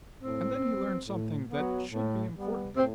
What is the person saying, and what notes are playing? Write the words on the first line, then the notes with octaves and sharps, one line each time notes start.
And then he learned something that should be important.
A2 C4
F#3 B3
A2
F#3 B3
A2
G3 B3
A2 C4